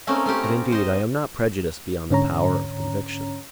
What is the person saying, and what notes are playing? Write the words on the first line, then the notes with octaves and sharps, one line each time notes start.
But, indeed, I am not prejudiced beyond the power of conviction.
A3 A#3 C4 C#4 D#4
A3 F4 G4
A#5
C5 D#5
G#2 D3 C#4 C#5 A#5